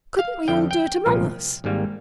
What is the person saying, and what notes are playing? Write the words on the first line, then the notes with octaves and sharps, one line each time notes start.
"Couldn't we all do it among us?"
F5
F2 D3 F3 G5
G5
C2 A#2 F3
G#1 G#2 G3 A#3